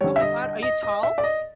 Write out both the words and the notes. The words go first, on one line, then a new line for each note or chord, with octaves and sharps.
Oh my God, are you tall?
D3 G3 C#5
E5
D#5
D#5
D#5
D#5
E5
D5
D#5